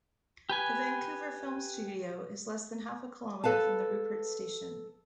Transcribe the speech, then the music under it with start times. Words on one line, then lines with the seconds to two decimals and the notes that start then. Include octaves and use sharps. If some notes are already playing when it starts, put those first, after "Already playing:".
The Vancouver Film Studio is less than half a kilometer from the Rupert station.
0.49 G4 B4 G#5
3.44 A4 B4 F5 A5